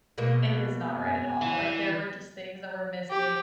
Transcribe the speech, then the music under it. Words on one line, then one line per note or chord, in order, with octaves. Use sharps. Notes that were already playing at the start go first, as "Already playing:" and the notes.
it is not right at all, like, there were just things that were missi
B2 G#3 A#3
G#5
E3
G4